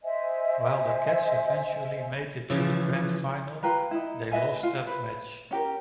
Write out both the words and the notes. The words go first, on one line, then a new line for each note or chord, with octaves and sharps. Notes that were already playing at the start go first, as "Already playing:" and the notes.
While the Cats eventually made it to the grand final, they lost that match.
C5 D#5 E5 G#5
C#3 E3 F3
F4 G4 B4 A#5
D#4 E4
B4 D#5 E5 G#5
F4
B4
C#4 G4 A#4